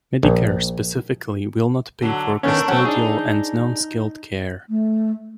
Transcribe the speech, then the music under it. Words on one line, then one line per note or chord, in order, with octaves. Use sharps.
Medicare specifically will not pay for custodial and non-skilled care.
A#1
D3 F#3
D#3 A3 B3 C#4 D4 A#4
F#3 A3 C4 C#4 F#5
D4 D#4 G#4
A3